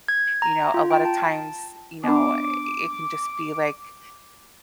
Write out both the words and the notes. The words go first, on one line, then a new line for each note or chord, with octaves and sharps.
you know, a lotta times, you know, eh, it can just be, like,
G#6
A#5
F4
G5
A5
B3 D4 D6